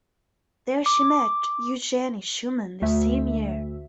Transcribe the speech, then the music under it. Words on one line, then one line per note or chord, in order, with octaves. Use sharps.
There she met Eugenie Schumann the same year.
D6
D2 E5